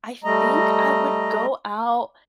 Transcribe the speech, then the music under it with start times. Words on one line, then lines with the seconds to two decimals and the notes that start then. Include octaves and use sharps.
I think I would go out
0.24 G3 A3 D#5 A#5